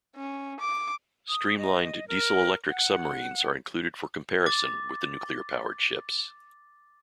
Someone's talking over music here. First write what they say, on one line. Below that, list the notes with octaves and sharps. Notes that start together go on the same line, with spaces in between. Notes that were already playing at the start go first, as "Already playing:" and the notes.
Streamlined diesel-electric submarines are included for comparison with the nuclear-powered ships.
C#4
D6
D#6
D#5
A#4
F#5
D6 A6